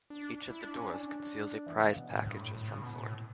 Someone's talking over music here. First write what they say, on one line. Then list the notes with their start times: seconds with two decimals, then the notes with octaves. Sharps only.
Each of the doors conceals a prize package of some sort.
0.10 D4
0.50 E4
0.62 D4
0.77 C#4
0.90 D4
1.66 E3
1.81 C#3
1.96 B2
2.11 A2
2.26 G2
2.40 A2
2.55 A2
2.70 C#3
2.78 A2
2.83 B2
2.93 B2
2.99 A2